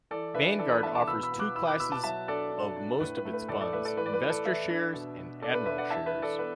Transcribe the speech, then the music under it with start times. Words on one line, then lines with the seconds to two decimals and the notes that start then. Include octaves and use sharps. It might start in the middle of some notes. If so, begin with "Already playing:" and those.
Vanguard offers two classes of most of its funds: "investor shares" and "admiral shares".
0.11 E3 A4 D5
0.34 D4 B4 E5
0.59 E3 A4 D5
0.71 B4
0.79 B5
0.83 B3 E5 A5
0.95 A5 D6
1.07 B2 B5 E6
1.23 B5 E6
1.32 B3
1.39 D6 F#6
1.55 E4 B5 E6
1.68 D6 F#6
1.80 B2 B5 E6
1.92 A5 D6
2.04 F#3 E5 A5
2.28 D4 A4 D5
2.52 D4
2.76 D4
3.00 A2 B4
3.17 B4
3.25 A3
3.33 B4
3.48 A2 A4 D5
3.61 A4 D5
3.73 A3 B4 E5
3.85 A4 D5
3.97 E3 B4
4.06 D5
4.14 B4
4.22 E3
4.29 A4 D5
4.45 E3 B4 E5
4.70 D4
4.94 B2
5.18 B2
5.42 D4 A4 D5
5.54 B4
5.66 D4 B4 E5
5.78 D5 F#5
5.90 E3 E5 A5
6.06 B4 E5
6.15 E3
6.22 A4 D5
6.39 B3 B4